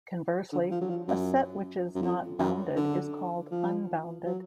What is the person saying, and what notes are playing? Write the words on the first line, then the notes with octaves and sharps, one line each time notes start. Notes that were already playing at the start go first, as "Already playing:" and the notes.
Conversely, a set which is not bounded is called unbounded.
D3
F3
F#3
F3
F#2
F#2
F2
F#2
D3
F3
F#3